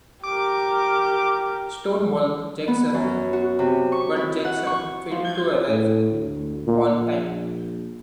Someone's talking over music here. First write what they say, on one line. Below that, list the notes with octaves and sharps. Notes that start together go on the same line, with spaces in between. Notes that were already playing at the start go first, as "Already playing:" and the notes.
"Stonewall" Jackson, but Jackson failed to arrive on time.
G4 A#4 D6
B3
F#2
F#4
C3
C#6
E4
F#5
C#6
F3
A2
D2
A#2
A#1